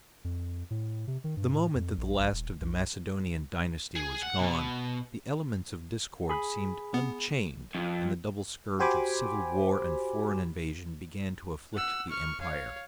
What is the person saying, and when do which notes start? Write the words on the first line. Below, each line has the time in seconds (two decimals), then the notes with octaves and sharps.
The moment that the last of the Macedonian dynasty was gone, the elements of discord seemed unchained, and the double scourge of civil war and foreign invasion began to afflict the empire.
0.24 F2
0.71 A2
1.07 C3
1.24 D#3
1.37 G2
1.53 A2
1.75 F2
1.98 A#1
2.19 A#1
2.32 D#1
2.61 B1
3.96 G#4
4.23 F#5
4.40 B2
6.29 G#4 B5
6.94 B3
7.75 F2
8.79 F#4 G4 C5 G#5 B5 D6
11.75 F#5 E6
12.09 C#6 F6
12.41 C#5 F5